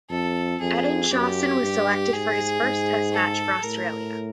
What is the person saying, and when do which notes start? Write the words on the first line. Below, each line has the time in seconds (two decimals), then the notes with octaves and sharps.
Ettingshausen was selected for his first test match for Australia.
0.10 F2 A4
0.61 F2 G#4
1.11 F#2 G4
1.61 G2
2.12 G#2 G#4
2.62 G#2
3.13 A4
3.63 A2 A#4